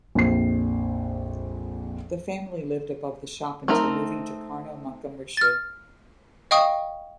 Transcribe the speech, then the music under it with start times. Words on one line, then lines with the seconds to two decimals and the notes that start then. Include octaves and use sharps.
The family lived above the shop until moving to Carno, Montgomeryshire.
0.15 A#1 F2 C7
3.68 A3 C4 D#4 A#4 A#5
5.37 F6 A6
6.51 D#5 F5 G5 C#6 D#6